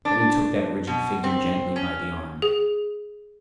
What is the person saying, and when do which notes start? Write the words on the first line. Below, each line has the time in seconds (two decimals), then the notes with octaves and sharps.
Then he took that rigid figure gently by the arm.
0.05 D4
0.87 B2
1.24 C4
1.76 C#4
2.42 G#4